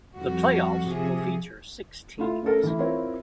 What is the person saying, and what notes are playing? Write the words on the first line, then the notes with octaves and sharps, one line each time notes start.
The playoffs will feature six teams.
F2 G3 F#4
C3 F3 G#4
A3 E4 F4
A3 C#4 D4 A4 A#4
E3 A3 E4
C4 E4 F4 A#4 C#5